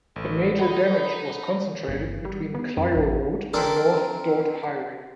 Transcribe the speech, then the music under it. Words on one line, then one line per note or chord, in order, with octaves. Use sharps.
The major damage was concentrated between Clio Road and N. Dort Highway.
A1 A4
D#4 D#5 F#5 B5
G1
G3
B3
F#2
A1
C4 D4 A4 A#4